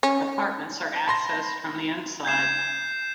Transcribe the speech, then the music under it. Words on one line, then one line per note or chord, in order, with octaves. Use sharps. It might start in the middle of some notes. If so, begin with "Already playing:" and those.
Apartments are accessed from the inside.
C#4
A5 B5 C6 A#6
G6 G#6 C7 E7